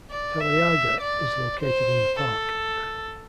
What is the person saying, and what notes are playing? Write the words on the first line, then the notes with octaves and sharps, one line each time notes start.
Peleaga, is located in the park.
D5
E5
D5
C5
A4